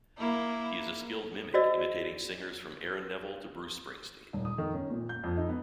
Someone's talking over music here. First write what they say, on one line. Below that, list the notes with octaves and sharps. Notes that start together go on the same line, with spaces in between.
He is a skilled mimic, imitating singers from Aaron Neville to Bruce Springsteen.
A#3 E4
F#4 C5 D5 D#5 E6
D#1
D#6
D#3
C#4
A#2
G6
F2
D#4
B3